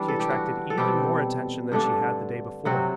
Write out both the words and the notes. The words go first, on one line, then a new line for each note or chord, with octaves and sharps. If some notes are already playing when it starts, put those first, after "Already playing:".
She attracted even more attention than she had the day before.
Already playing: E3 G3 D4
A4
G4
F#4
A4
B2 G3 C4 G4
G2 D3 A3 D4
C3 F#3 C4 F#4